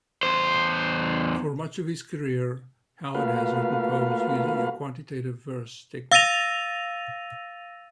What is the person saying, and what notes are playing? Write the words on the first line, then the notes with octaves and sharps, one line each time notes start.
For much of his career, Howard has written poems using a quantitative verse technique.
E2 C5
A3 A#3 F4 F#4 B4 F5
F5 E6 A6 A#6 D#7 F7